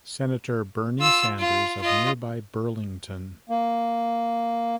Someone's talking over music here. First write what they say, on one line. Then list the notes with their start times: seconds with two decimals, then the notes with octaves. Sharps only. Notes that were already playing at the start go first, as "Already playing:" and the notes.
Senator Bernie Sanders of nearby Burlington.
1.00 F4 E6
1.39 F4
1.81 F4 D#5
3.49 A#3